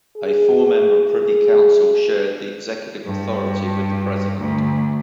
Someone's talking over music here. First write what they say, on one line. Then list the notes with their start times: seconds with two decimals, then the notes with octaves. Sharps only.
A four-member Privy Council shared the executive authority with the President.
0.16 G#4
1.03 G#4
3.05 G2
4.40 D2